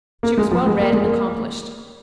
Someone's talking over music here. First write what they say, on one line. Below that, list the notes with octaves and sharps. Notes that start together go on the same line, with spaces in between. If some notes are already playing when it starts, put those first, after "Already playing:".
She was well read and accomplished.
A#3
G#3
F3
G#3
A#3
G#3
A#3